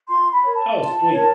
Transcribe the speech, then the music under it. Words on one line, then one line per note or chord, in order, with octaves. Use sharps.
Oh, sweet.
F4 C6
B5
A#4 C#5
A5
F4
A#4 C#5